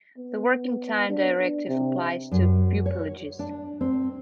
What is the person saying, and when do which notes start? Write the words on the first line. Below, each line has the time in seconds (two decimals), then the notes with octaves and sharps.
The Working Time Directive applies to pupillages.
0.18 B3
1.10 D4
1.69 C3
2.31 F#2
2.86 C#5
3.39 D4
3.81 C4